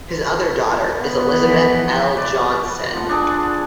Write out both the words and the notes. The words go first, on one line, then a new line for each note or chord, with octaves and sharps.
His other daughter is Elizabeth L. Johnson.
B3
E3 F3
B4 D5
F3 F#5
D4 G#4